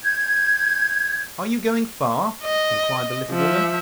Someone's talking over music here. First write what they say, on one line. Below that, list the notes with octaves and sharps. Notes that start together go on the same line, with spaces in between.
Are you going far?' inquired the little woman.
G6 G#6
D#5
F3 E5